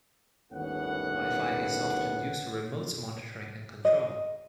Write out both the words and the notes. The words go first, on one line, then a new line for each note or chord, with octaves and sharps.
Wi-Fi is often used for remote monitoring and control.
G1 D#2 A2 B3 C#4 F#5
D#5